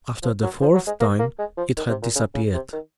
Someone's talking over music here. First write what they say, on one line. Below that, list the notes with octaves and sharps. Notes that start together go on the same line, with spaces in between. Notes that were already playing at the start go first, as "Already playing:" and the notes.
After the fourth time, it had disappeared.
F3
F#3
F3
F#3
G#3
A#3
A#3
G#3
F3
D#3
C3
A#2
C#3
C#3
C3
D#3